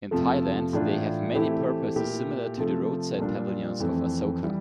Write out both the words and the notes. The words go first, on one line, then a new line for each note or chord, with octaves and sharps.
In Thailand, they have many purposes similar to the roadside pavilions of Asoka.
F2 C3 F3 A3
A2 E3 A3 D4 F4
E3 A3 C4 E4 G4
A#2 A3 E4 G4
C3 F3 A3
A#2 G3 D4 F4
F2 E3 A3 C4
E3 G3